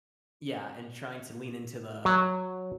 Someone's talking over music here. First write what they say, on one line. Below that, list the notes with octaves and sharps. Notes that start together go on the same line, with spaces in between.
Yeah, and trying to lean into the
F#3